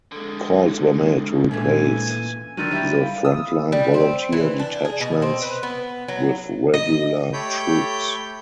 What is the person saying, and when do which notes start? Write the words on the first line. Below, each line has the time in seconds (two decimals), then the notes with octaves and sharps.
Calls were made to replace the frontline volunteer detachments with regular troops.
0.12 D3 G#3 A4
1.51 A#2 E3 A3 C#4 G#5
2.57 D3 D#3 F#3 A6 D#7
2.71 G3 E4 G4
3.00 F5 B5
3.25 D#6 E6
3.72 G3
3.94 C4
4.32 E3
4.59 D4
4.85 G#4
5.01 B2
5.22 C4
5.42 B4
5.63 B3
6.08 F#3
6.74 D#5
7.33 A3 G4 C#5 G5 B5 G6